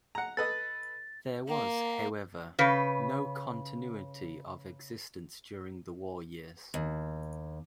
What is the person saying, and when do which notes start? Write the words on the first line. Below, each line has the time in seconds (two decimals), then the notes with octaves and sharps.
There was, however, no continuity of existence during the war years.
0.15 F#5 A#5
0.37 A4 B4 D#5 A6
1.48 A#3
2.59 C#3 B4
6.74 D#2